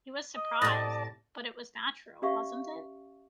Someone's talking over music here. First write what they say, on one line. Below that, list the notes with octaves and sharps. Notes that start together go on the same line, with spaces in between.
He was surprised; but it was natural, wasn't it?
D#5
A2 C3 D5 A5 D#6 A6 A#6
C#4 G4 D5 E5 F5 C#6